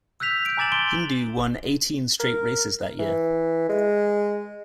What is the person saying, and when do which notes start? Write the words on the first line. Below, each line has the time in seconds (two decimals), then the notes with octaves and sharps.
Hindoo won eighteen straight races that year.
0.20 E6 F#6 G6 B6 F7
0.46 G6 D7
0.57 G#5 A#5 D6 A6 E7 F#7
0.72 C6 D7 G7
2.20 A#4
2.99 E3
3.69 G#3